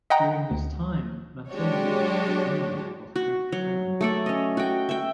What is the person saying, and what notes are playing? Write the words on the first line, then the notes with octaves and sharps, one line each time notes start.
During this time Mantilla was the roommate of Hank Aaron.
D#5 F#5 G5 A#5
D2
F#3 G#3 D4 F#4 G4 C#5
F#4
F#3
A3 A4 D5
C#4 D#5
F#4 G5
E5 G5